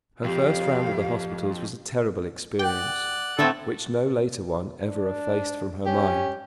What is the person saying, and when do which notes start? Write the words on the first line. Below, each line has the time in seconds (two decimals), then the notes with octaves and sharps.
Her first round of the hospitals was a terrible experience, which no later one ever effaced from her mind.
0.24 F2 G4 F5
2.59 D5 F#5 G5
3.39 A2 D3 A3 B3 C4 A4
4.84 D4
5.86 C#4 G4